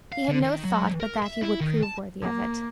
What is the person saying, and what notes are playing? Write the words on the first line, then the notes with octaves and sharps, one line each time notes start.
He had no thought but that he would prove worthy of it.
F5
D3
D#3
F#3
A#4
E5
E4
D#3
A5
A#3